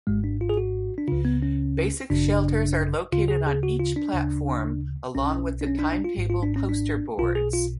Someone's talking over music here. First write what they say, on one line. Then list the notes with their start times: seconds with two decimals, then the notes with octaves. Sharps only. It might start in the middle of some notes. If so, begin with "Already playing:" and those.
Basic shelters are located on each platform, along with the timetable poster boards.
0.07 G#1 G#2 G#3
0.24 D4
0.41 F4
0.49 G#4
0.57 F#4
0.98 D4
1.08 C#2 C#3 F4
1.25 B3
1.42 C#4
2.10 G#1 F#2 C#3 D4
3.12 D2 C#3 F4
3.28 G#4
3.46 G#4
3.63 F#4
3.79 F4
3.96 D4
4.13 D2 C#3
5.15 B1 B2 C#4
5.61 D4
5.67 C#4
5.79 D4
5.92 D4
6.04 F4
6.17 G#1 G#2
6.30 F4
6.43 D4
6.56 C#4
6.69 D4
7.19 B1 B2 F4
7.35 G#4
7.53 F4